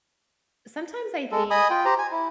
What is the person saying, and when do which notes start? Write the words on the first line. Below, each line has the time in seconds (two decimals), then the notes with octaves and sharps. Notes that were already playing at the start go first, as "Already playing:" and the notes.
sometimes I think,
1.31 G#3 A4
1.51 D#5 G#5 B5 D#6
1.70 F4 G5
1.85 G4 C5 A#5
1.98 G#5
2.12 E4